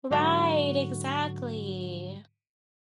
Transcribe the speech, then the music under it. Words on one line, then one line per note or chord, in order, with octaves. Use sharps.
Right, exactly.
G#2 D3 F#3 F#4